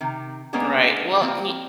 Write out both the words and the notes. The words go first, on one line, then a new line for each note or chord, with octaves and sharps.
right. Well, y
C3 D#3
G#3 A#3 B3 C#4 D4 G#4
F3 A#3 C4 G4